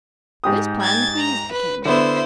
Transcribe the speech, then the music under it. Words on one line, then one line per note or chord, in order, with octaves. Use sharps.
This plan pleased the King.
G#2 G4 D#6
G#6 A6
A#5
B4
D3 B3 E4 C5